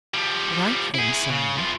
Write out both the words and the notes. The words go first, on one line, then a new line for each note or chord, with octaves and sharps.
"Write, then, sire."
F3 G3
E4 G#4
C#3
E2 F3